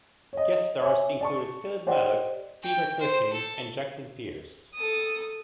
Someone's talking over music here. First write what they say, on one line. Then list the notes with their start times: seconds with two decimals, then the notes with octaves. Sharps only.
Guest stars included Philip Madoc, Peter Cushing and Jacqueline Pearce.
0.33 C#5 D#5
0.81 C#5 E5 G#5
1.21 D5 A5 C#6
1.86 G4 C5 D5 D#5 F#5 G5
2.63 G5
3.00 C5
3.33 A4
4.75 A4 D#6